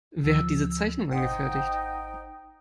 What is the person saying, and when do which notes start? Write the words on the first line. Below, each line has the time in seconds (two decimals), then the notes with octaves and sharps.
Wer hat diese Zeichnung angefertigt?
0.24 D2 F3 E6
1.10 G#1 D#4 C5 F#5 G5